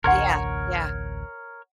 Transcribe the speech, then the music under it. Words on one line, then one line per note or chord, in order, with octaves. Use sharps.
Yeah, yeah.
A1 D2 A#4 C#5 F#5 C6